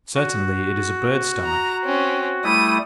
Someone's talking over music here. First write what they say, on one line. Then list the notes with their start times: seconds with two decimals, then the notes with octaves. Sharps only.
Certainly it is a bird's stomach.
0.15 F#4
1.45 A#5
1.85 C4 C#4
2.44 G3 A3 E4 D#6 D#7